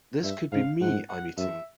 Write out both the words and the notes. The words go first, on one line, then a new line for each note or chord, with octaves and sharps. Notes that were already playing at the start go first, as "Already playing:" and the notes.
This could be me I'm eating.
G2 E5
G#2 F5
G#2 F#5
F#5
F#2 E5